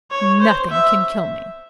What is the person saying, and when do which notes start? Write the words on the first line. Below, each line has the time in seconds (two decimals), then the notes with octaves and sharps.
"Nothing can kill me."
0.11 C#5
0.40 C5
0.70 E5